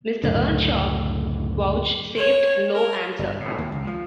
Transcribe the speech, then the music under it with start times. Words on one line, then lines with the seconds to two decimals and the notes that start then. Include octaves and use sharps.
Mr. Earnshaw vouchsafed no answer.
0.24 C#2 F#2 A2 D3
2.16 C#5
2.74 A#4
3.19 G1
3.40 A2
3.58 D#2
3.72 C#2
3.87 F3